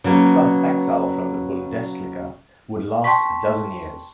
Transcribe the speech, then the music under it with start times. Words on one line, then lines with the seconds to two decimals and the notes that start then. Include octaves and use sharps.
The club's exile from the Bundesliga would last a dozen years.
0.04 C#3 F#3 A#3 B3
3.04 G5 A5 C6 C#6 B6